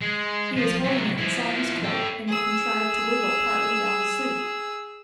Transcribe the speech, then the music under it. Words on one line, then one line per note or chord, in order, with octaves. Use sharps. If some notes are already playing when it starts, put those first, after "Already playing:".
He was holding it inside his coat, and it contrived to wiggle partly down the sleeve.
G#3
F3
C3 F#3
F3 E4
A4 G5
G#4 E6